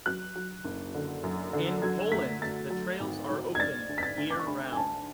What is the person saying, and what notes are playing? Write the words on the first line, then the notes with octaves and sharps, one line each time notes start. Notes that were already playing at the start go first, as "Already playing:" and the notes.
In Poland, the trails are open year-round.
F#3 F#6
F#3
F#1
D3
F#2
D3
F#3 G#6
A3 B6
A3 A6
F#3
G#1
G#2
G#6
D4 A6
D2
B6
A6
D2
D6
C#6
D2 B5
G#5
D2 A5